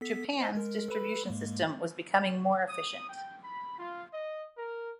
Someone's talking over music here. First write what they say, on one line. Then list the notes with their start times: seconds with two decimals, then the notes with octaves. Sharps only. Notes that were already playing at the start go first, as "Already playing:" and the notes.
Japan's distribution system was becoming more efficient.
0.01 B3 A4 B6
0.39 C5 D#5 G#5
0.55 G#3 A#4
0.88 A4 B4 B5
1.25 G#2 G#3 A#3
2.68 D#6
3.07 G5
3.43 B5
3.78 F4
4.11 D#5
4.57 A#4